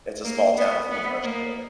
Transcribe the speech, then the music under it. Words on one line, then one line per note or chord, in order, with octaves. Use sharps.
It's a small town with a university in it.
A#3
B3
B3
A#3